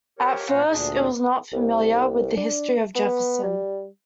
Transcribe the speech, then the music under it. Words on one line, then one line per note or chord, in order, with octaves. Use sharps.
At first, it was not familiar with the history of Jefferson.
G4 A#4 C#5
A#2 C#4 C5 F5 F#5 A#5
D2 A#2 D4 G#4
C2
D4
B3
G3